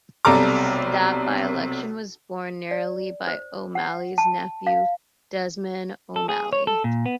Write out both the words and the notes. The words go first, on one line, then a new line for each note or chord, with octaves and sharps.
That by-election was won narrowly by O'Malley's nephew, Desmond O'Malley.
B1 C3 G3 A4 A#5 D6
D5
C5
F#5
A5
F5
A4
G#4
C#5
A4
A#2
B3